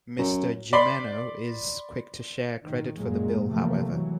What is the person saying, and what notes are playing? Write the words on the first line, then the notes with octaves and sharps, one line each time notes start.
Mr. Jimeno is quick to share credit for the bill, however.
F#2
D5 B5 C6
A2 D#3
F#2 A#2 F#3 G#3 A#3
C3 E3 F3 A3 A#3
E3 F#3